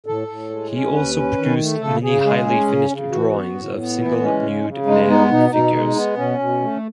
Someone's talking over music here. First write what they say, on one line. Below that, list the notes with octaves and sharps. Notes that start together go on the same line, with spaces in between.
He also produced many highly finished drawings of single nude male figures.
A2 A4
A2
G#3
C#4
D#2 B4
C#4
D#3
A3
C#3 A4
C#3 G#4
G#3 G#4
C#4
C#3
C#3
E3 F#4
B3
A2
B3
E3 E4
G#3 C#4
C#3
C#3
G#3 D#4
B3 D#4
B2 D#4
B2 D#4
G#3
B3
B2 C#4
B2
A3